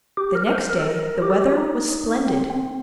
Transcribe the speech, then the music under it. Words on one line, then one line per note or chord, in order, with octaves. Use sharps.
The next day the weather was splendid.
G4
A#4
A#4
C5
A#4
A4
A#4
G4
A4
G4
F4
D#4
C4
C4